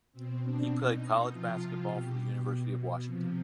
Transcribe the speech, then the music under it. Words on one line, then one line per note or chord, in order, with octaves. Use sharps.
He played college basketball for the University of Washington.
B2 C4
D4
B2 D#4
C3 F3 F4
B2 G4
B2
C3 F3